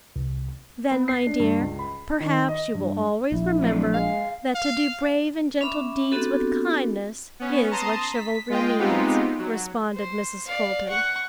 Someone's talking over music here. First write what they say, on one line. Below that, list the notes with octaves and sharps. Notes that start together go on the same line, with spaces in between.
"Then, my dear, perhaps you will always remember that to do brave and gentle deeds with kindness is what 'chivalry' means," responded Mrs. Fulton.
C2
B3
C7
D4
G2
C#2
B5
D#3
D#5
G2
A#1 E4
F#3 A3 C4
G#3 F5
F5
C#4 E5 B5 D6
B3 C4 D4 F#4 G4 A4
B3 C#4
A5 A#5 C6 D#6
B6
G#3 F4 D#5 G5
G#3 B3 C4 D#4 F4 G4
F#3
C5
D5 F5
F#5 C#6